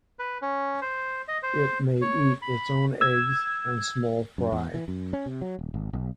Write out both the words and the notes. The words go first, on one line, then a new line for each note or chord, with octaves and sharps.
It may eat its own eggs and small fry.
B4
C#4
C5
D#5
C5
C#5
B5
E6 G#6
F#2
E2
E3
F#2
C#4
C3
F#3
D#1
G#1
B1